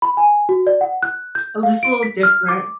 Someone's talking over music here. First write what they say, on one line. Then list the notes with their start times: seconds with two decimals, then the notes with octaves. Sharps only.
uh, just a little different.
0.02 B5
0.17 G#5
0.49 F#4
0.67 D5
0.81 F#5
1.03 F#6
1.35 G6
1.63 F5
1.83 D7
2.03 B6
2.23 F6
2.49 D6